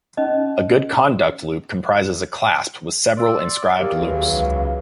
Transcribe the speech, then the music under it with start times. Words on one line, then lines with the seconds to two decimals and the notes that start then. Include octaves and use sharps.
A Good Conduct Loop comprises a clasp with several inscribed loops.
0.17 C#4 D#4 D#5
3.17 D5 C6 E6
3.79 D#3 A#3 G4 F5
4.02 D#2 E3 F#3 G#4 B4
4.33 C#2